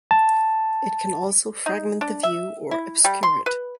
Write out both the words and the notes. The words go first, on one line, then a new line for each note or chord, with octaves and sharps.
It can also fragment the view or obscure it.
A5
D#4
D4
E5
E4
G3
C6
B4